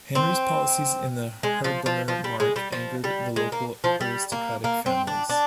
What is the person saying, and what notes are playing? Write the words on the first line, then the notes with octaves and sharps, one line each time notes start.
Henry's policies in the Herborner Mark angered the local aristocratic families.
C4
G#3
F3
F3
F3
G3
G#3
G3
F3
G3
G#3
A#3
F3
G3
A#3
A#3
C4
D4
D4